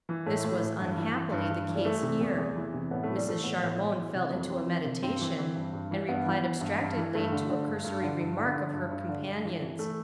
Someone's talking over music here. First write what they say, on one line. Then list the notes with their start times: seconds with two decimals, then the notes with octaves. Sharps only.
This was unhappily the case here. Mrs. Charmond fell into a meditation, and replied abstractedly to a cursory remark of her companion's.
0.09 E3
0.26 A2 A3
0.44 A2
0.61 E3
0.80 G2
0.97 E3
1.15 E3
1.32 G2
1.50 G2
1.68 E3
1.75 G3
1.85 E3 A3
2.02 C3
2.21 E2
2.38 E2
2.56 E3
2.74 C3
2.91 A2 B3
3.04 E3 A3
3.16 G3
3.27 E3 A3
3.44 A2 B3
3.62 A2
3.80 E3
3.97 E3
4.14 C3
4.33 F2
4.50 F2 C4
4.67 E3
4.85 C3
5.02 G2 C4
5.21 E3
5.38 E3
5.56 G2
5.73 G2
5.91 E3
6.09 G2 B3
6.26 E3
6.44 E3
6.61 G2
6.79 G2
6.97 E3
7.15 G2 A3
7.32 D3
7.50 D3
7.68 G2
7.85 G2
8.03 D3
8.21 G2
8.38 D3
8.56 D3
8.73 G2
8.91 G2
9.09 D3
9.26 G2
9.45 E3
9.62 E3
9.79 A3